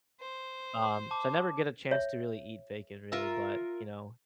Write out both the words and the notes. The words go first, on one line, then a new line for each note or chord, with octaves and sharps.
Um, so I never get a chance to really eat bacon really, but, you know.
C5
A5 D6
C#5 E5
F4 A#4 E5